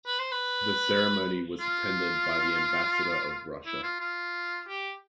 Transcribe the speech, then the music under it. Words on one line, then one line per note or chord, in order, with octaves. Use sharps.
The ceremony was attended by the Ambassador of Russia.
B4
C5
B4
F4
E4
F4
F4
G4